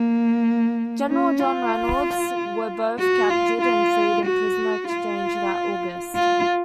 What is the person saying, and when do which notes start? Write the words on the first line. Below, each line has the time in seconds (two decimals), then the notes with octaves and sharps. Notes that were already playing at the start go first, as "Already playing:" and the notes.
General John Reynolds were both captured and freed in a prisoner exchange that August.
Already playing: A#3
1.08 C#4
1.39 F4
2.98 F#4
3.30 F4
3.61 F4
4.25 F#4
4.89 F4
6.15 F4